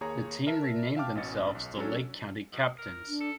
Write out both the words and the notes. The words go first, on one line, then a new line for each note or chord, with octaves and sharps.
The team renamed themselves the Lake County Captains.
D#2 A#3 G#4 C#5 A#5
A#4 E5 A5
E5 F5 G5 A5 D6 F6
A1 B2 C#4 D#5 A6 C#7
B1
F#3 C#4 D4 A4 C#5
B2
A#4
D4
A4